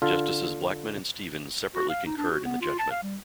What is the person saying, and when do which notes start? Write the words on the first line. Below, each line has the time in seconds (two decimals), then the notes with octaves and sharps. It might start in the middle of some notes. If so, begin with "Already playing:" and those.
Justices Blackmun and Stevens separately concurred in the judgment.
0.02 D3 F4 A4
1.75 F#4
1.89 F5
2.05 D#4
2.17 D4
2.30 F#4
2.44 B3
2.61 F4
2.79 A5
2.91 F5
3.03 G3